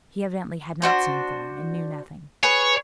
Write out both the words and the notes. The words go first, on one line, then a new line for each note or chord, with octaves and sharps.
"He evidently had not seen Thorn, and knew nothing."
D4 F#4 C5
G#4 B4 C#5